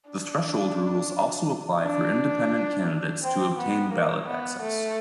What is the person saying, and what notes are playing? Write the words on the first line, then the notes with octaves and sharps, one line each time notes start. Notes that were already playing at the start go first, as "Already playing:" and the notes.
The threshold rules also apply for independent candidates to obtain ballot access.
D4
D4
C4
B3
A#3
B3
A3